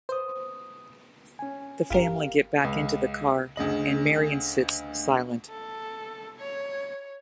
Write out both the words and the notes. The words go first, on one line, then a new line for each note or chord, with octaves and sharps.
The family get back into the car, and Marion sits, silent.
B4 C5 D#6
C#4 G#5
G1 G4 A#4 F5
C#2
D2 C#3 D#5 F#7
A4
C#5